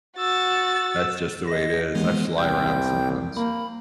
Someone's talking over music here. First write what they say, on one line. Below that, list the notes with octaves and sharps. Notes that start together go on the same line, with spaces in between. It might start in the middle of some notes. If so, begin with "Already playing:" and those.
that's just the way it is, I fly around sometimes.
F#4 E6 A6
D#5 A#6
D#2 E3 G#3 B3
C2 G5 G6
A#3 B5